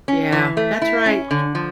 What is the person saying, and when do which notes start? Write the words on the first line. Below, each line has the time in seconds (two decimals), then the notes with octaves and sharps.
Yeah, that's right.
0.08 C#4
0.32 E3
0.57 A3
0.82 E4
1.06 C#4
1.31 D3
1.55 F3